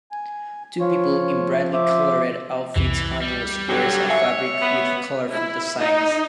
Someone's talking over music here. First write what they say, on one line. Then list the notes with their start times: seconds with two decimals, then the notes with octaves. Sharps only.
Two people in brightly colored outfits handle squares of fabric with colorful designs.
0.12 G#5
0.80 F3 F4 C#5
1.73 C5 E5 D6
2.76 C2 F2 C3 E3
3.22 G3
3.69 D#2 D3 F#3 G4
4.10 C#5 E5 F5 G#5 C7
4.62 B3
5.31 E4
5.78 D#4